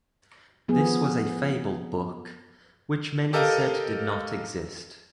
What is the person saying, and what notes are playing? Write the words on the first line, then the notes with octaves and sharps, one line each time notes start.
This was a fabled book, which many said did not exist.
F3 B3 G#4
G4 A4 A#4 D#5 F5